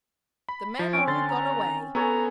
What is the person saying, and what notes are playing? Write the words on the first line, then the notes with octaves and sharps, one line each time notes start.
The men are all gone away.
B5
F3
C4 C#4 D7
D3 C6 A6
A#5
B3 G#4 A4 C#5 A#5